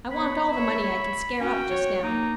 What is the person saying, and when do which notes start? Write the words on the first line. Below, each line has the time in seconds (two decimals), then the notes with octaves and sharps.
I want all the money I can scare up just now.
0.11 B3 C#5 B5
0.51 C#5 E5
1.40 C#4 F#4 G5
1.70 C#5
2.03 A#3 D#4